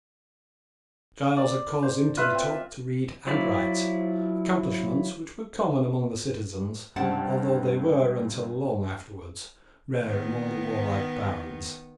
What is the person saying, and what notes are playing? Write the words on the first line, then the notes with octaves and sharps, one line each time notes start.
Giles had caused him to be taught to read and write, accomplishments which were common among the citizens, although they were until long afterwards rare among the warlike barons.
D5
C5
F4 B4 E5
C4
F3 F#3 E4 D5
C#2 G2 C3 D4 F#5 A5
D#3 B3